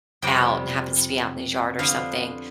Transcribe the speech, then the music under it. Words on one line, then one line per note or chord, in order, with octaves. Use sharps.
out and happens to be out in his yard or something.
F2 C3 G3 G5
D3 F3 B3 D4 F5